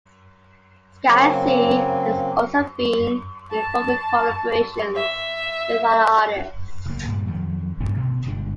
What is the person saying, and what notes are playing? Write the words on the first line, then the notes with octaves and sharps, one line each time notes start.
Skazi has also been involved in collaborations with other artists.
C#3 F#3 A#3 C4
A5
E5
F#1 D2 A#3
G2 A#2 G3
F2 D#3 F#3
D2 G2 A#2 C#4
A1 G#2 B2
G1 G#3 D4